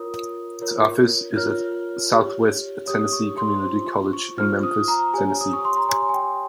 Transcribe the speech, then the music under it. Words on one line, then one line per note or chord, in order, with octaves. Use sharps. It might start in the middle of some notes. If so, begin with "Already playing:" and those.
Its office is at Southwest Tennessee Community College in Memphis, Tennessee.
Already playing: F4 A#4 C#5 D#6
F4 A#4 C#5
F4 A#4 C#5 F6
G4 C#5
G4 C#5 D#6
C#6
C6
F4 C5
C#6
C#6
F4 C5 F6
D#6
A#5
G4 C#5 G#5
D#6
C#6
C6
A#5
G4 C#5 G#5
G#5
G5